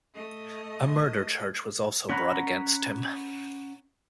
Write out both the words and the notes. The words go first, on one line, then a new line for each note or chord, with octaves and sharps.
A murder charge was also brought against him.
A3 D#5
C#4 C#5 F#5 A#5 B5